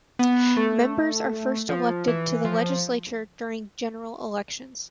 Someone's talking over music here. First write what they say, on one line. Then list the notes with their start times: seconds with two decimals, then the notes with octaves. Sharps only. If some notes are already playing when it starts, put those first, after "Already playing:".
Members are first elected to the legislature during general elections.
0.19 B3
0.57 A3
1.69 F3
2.07 E3
2.45 F3